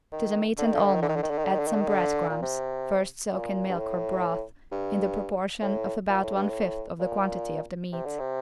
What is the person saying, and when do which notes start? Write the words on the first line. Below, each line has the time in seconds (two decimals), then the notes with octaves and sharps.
To the meat and almond add some bread crumbs, first soaked in milk or broth, in the proportion of about one fifth of the quantity of the meat.
0.12 D#3
0.58 D3
0.66 D#3
0.73 D3
0.81 D#3
0.87 D3
0.95 D#3
1.02 D3
1.09 D#3
1.16 D3
1.23 D#3
1.30 D3
1.38 D#3
1.45 D3
1.53 D#3
1.59 D3
1.68 D#3
1.74 D3
1.82 D#3
1.88 D3
2.30 A#2
2.42 C3
3.33 A#2
3.69 G2
3.79 A2
4.72 G2
5.62 A2
6.09 A#2
6.23 A2
6.36 G2
6.49 A2
7.00 A#2
7.93 C3
8.05 D3
8.20 C3